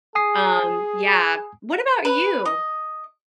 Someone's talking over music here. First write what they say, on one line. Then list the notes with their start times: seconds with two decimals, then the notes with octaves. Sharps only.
Um, yeah. What about you?
0.15 G#4 G#5 D#6 C7
2.05 B4
2.45 D#5